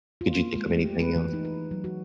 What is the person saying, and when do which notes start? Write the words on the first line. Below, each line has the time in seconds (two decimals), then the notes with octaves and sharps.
could you think of anything else?
0.21 F4
0.36 A#3
0.56 G#3
0.70 A3
0.82 G4
1.00 B4
1.16 E3
1.33 D#4
1.45 B4
1.71 F#3
1.84 F#4